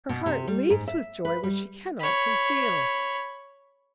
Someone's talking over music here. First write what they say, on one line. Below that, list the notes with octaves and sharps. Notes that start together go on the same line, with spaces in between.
Her heart leaps with joy which she cannot conceal.
B2
C3
G3
G#2
E5
B4
G3
C#5 B5